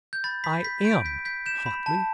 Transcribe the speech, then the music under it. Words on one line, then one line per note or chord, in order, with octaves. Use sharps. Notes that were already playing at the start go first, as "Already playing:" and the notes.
"I am!" hotly.
G6
B5 A6
B5 B6
G6 B6
G6 D7
G6 B6
G6 B6
G6 E7
B5
A5